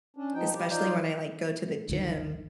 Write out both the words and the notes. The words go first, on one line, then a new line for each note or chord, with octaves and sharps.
especially when I like go to the gym,
C#4 D4
F3 D#4 G5
G3 G4
D#4 F4 C5 D5
G1 D2 D3 D#3